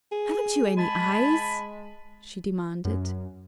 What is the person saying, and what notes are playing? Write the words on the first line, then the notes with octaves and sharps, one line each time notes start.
"Haven't you any eyes?" she demanded.
G#4
G#3 G#5 A5 B5
F#2